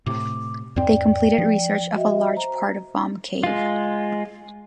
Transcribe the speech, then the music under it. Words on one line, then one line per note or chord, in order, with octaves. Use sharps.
They completed research of a large part of Vom Cave.
A2 C3 D6
E2 G#2 C4 D5 G5
F3
F#4 D#5 E5
C5 A#5
G#3 F4